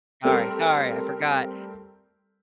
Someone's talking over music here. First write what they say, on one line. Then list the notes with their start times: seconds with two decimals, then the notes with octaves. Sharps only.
Sorry, sorry, I forgot.
0.24 G3 A3 C4 G4 A4 A#4